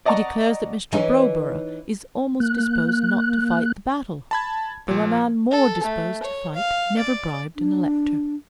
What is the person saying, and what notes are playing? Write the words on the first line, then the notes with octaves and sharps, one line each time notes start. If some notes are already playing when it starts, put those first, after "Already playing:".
He declares that Mr. Browborough is almost disposed not to fight the battle, though a man more disposed to fight never bribed an elector.
D5 D#5 F#5 A5 A#5 C#6
E3 C#4 D#4
A#3 F#6
A5 B5 G#6
A#2 F3
A4
A3
C#5
F5
D5
D4